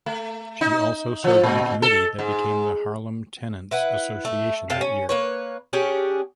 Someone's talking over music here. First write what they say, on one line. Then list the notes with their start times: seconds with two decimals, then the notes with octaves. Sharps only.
She also served on the committee that became the Harlem Tenants Association that year.
0.06 A3
0.61 D#4
1.24 F3
1.44 A#2
1.82 A4
2.19 G#2
3.71 E4 B4 F#5
4.25 A3
4.70 C3 A4 F5 A5
4.81 C#4
5.09 A#3 B4 C#5
5.73 C#4 D4 G4 G#4